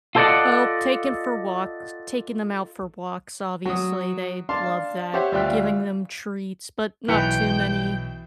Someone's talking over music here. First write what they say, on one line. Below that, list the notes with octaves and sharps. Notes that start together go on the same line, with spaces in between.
Well, taking for walks taking 'em out for walks, obviously, they love that, giving them treats, but not too many,
F4 A4 C5 D5 D#5 F#5
F#3 D#6
D4 F5 A5 C6
G4 C5 C#5 E5 F#5
D2 G3 F4 E5 G5 F#6
B1 E3 G5 G6 C#7 F7